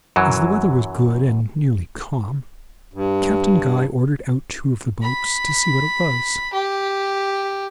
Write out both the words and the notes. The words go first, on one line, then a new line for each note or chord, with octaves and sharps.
As the weather was good and nearly calm, Captain Guy ordered out two of the boats to see what it was.
F#2 E3 F#3
G2
B5
G4